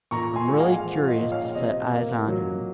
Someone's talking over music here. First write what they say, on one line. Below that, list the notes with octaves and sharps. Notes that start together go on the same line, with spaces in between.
I'm really curious to set eyes on him.
A#2 A#5 C#6
G#5 C6
G#3
F#5
F5 G#5
F3
D#5
A#2
C#5 F5
C3 D#5
A#3
F#3